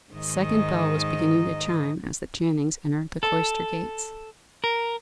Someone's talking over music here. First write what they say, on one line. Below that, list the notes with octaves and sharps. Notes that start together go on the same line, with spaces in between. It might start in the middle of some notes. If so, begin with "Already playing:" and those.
The second bell was beginning to chime as the Channings entered the cloister gates.
G#2 D#3 D#5
A4
A#4